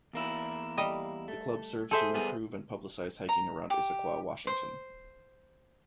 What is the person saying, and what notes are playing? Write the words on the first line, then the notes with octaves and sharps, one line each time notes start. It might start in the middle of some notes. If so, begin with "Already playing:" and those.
The club serves to improve and publicize hiking around Issaquah, Washington.
E2 A#3 E4
G3 D#5
A3
G#4 A4 C5 E5
G3 B3 G#4
A#5
G4
C5